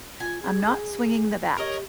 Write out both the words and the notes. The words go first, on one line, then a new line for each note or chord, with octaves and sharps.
I'm not swinging the bat.
F4 G#5
G#4
G4 A#4 C#5 D#5